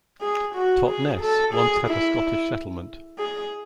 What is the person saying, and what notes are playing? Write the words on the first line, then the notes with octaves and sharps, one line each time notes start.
Totness once had a Scottish settlement.
G#4
F#4
G#4
A4
G#4
E4
G#4